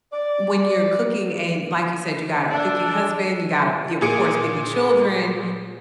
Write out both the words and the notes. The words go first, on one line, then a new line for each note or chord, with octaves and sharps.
when you're cooking and, like you said, you got a picky husband, you got a you of course, picky children.
D5
D4 A4
A#2 G#4 C#7 D7